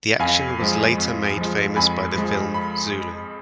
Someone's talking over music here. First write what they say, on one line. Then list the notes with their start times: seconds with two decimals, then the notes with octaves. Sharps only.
The action was later made famous by the film "Zulu".
0.19 F2 F5 G#5
0.59 F3 G#3
0.98 F2
1.37 F3 G#3
1.76 F2 G#5 B5
2.16 F3 G#3
2.54 B5